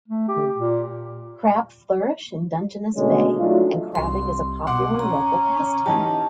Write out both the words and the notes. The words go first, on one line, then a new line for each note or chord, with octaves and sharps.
Crab flourish in Dungeness Bay, and crabbing is a popular local pastime.
A3
G4
A#2
B2 D3 G#3 A3 C#4
F#3 A3 D4 D#4 F4
C2 C6
B2 F#5 C6 D6
C#4 A#5
E3 D#4 G4 A5